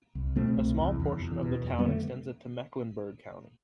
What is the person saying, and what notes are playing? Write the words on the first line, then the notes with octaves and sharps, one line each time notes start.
A small portion of the town extends into Mecklenburg County.
C2
B2 A3 C4
C2
E2
E2
E2
B2
F2
G3 B3
D3
A3